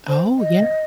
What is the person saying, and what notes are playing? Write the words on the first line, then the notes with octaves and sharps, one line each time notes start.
Oh, yeah.
C5
D#5